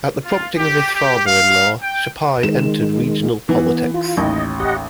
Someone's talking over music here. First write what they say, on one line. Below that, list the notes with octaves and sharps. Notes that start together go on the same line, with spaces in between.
At the prompting of his father-in-law, Chapais entered regional politics.
F4
G4
G4
F5
G5
D#3 G#3 E7
E3 B3
F4
A1 D#2 D#5
G4 D#5 F#5